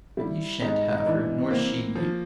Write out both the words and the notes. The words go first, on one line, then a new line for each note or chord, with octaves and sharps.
But you shan't have her, nor she you.
G3 E4
G#2 D#4
D#4
E3 D4
A#3 C4
F3